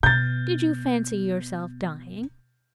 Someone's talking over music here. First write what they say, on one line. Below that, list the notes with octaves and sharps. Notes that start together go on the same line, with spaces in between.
"Did you fancy yourself dying?"
B2 G6 A6